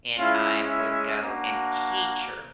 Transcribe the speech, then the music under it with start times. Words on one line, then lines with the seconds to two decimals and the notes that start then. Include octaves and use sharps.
and I would go and teach her.
0.17 G#3 C#4 E4 F4 F5
0.70 E4 E5
1.22 A#3 D4 F#4